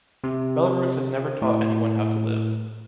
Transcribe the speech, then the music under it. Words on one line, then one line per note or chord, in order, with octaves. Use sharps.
Belarus has never taught anyone how to live.
C3
A2